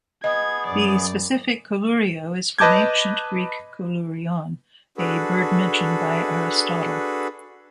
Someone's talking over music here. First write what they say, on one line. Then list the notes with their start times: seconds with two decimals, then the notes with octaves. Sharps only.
The specific "collurio" is from Ancient Greek "kollurion", a bird mentioned by Aristotle.
0.24 B3 G#4 D#5 G#6
0.66 F#2 D5
2.58 B4 D#5 A5 D6 G6 G#6
4.98 D4 F#4 G#4 A4 B4